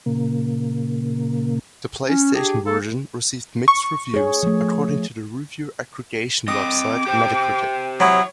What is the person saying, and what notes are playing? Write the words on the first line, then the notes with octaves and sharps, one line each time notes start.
The PlayStation version received "mixed" reviews according to the review aggregation website Metacritic.
A#2 C#3 A#3
C#4
D4 G4 G#4
A#3 A4
C#6
G#4 C#5
F3 A3
C4 D#5 D6 D#6
G4 C5 G5
F#3 E4 C#5 D#6